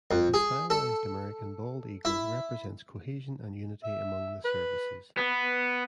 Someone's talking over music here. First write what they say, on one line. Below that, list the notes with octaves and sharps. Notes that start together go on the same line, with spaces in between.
The stylized American bald eagle represents cohesion and unity among the services.
F2
G#4
A4
E4
E5
B4
B3 B4